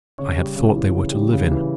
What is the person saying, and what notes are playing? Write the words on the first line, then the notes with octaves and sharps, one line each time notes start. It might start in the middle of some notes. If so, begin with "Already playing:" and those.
I had thought they were to live in.
C#3 C#5
G3
C#3
E3
C#3
G3
C#3
E3